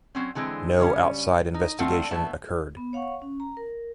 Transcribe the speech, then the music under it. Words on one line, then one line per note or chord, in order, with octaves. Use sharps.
No outside investigation occurred.
F#3 C4 C#4
D3 E3 G#3 C4
C#3 G3 C#4
D#4
A3 C4 D4 F4 A4 F#5
A2 B3 E5 A5
B3
C#5 F5 F#5 C#6
C#4
A#5
A#4